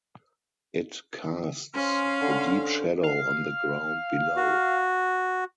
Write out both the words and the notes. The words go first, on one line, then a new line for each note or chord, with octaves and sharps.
It casts a deep shadow on the ground below.
C#4 C5 F5 G#5 C6
D3
F5
F#4